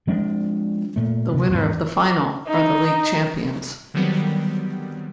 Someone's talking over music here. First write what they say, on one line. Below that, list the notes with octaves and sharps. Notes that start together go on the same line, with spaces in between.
The winner of the final are the league champions.
F3 G#3 C4 D4
A#2 A3
D2 C3
E2 G#2 B3
D#4
D3 D#3 F#3 G3 B3 C4